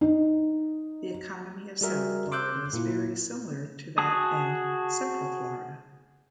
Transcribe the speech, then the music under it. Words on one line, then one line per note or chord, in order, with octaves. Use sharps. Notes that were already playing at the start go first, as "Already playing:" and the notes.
The economy in South Florida is very similar to that in Central Florida.
D#4
G3 F#4 G#4 A#4 E5
C6 D6 E6 F#6 G6
A#2 A#3 E4 F4
F#4 G#4 A5 D#6